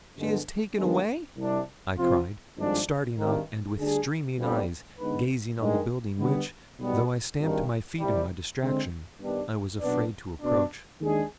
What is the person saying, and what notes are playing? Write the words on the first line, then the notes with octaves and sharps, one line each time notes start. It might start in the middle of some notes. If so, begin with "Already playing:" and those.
'She is taken away!' I cried, starting up, and with streaming eyes, gazing on the building which, though I stamped my feet in my distraction, I was afraid to approach.
G2 D3 G#3 B3
G1 G2 D#3 G#3
C2 C3 G3 D4
F2 C3 F3 C4 F4
G#1 G2 F3 G#3 D4
G#1 G2 D#3
D2 D3 G3 D4 G#4
G1 F2 D3 G3
D3 G#3 B3 D#4 B4
G2 D#3 G#3
D3 G3 B3
B1 B2 G3 B3
G#1 G2 D#3
C2 C3 G3
D3 G#3 C4
G2 D#3 G3 B3 D4
B1 B2 B3 D4
B2 B3 D4
D#2 D#3 G#3 D4 G#4